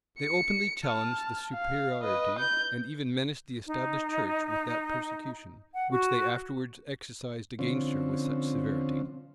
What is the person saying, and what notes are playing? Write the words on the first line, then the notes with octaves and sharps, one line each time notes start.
They openly challenged the superiority, and even menaced the established church with that persecution which they afterwards exercised against her with such severity.
C#7
A5 F6
F5
B4 D#5
G6
D#4
F#5
F#4
D3 F3 C4 C#4